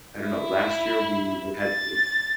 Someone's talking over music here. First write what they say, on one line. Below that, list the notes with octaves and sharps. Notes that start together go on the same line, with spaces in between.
I don't know, last year we we had to
E4
A6